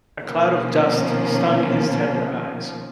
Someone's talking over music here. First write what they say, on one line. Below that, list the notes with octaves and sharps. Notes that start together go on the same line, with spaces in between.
A cloud of dust stung his tender eyes.
B2 D#3 F3 A#3 C#4